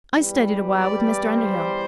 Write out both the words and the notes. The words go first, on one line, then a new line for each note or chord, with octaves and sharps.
I studied awhile with Mr. Underhill.
E2 E3 G3
D5
D5
C5